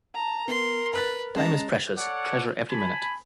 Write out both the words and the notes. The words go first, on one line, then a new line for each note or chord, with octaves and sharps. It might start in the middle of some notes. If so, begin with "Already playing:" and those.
Time is precious, treasure every minute.
A5 A#5
B3 A#4 C6
B4 B5 F#6 A6
G#3 C#4 A5 A#5
A4 C#5 D5 F#5
G#5 A5 B5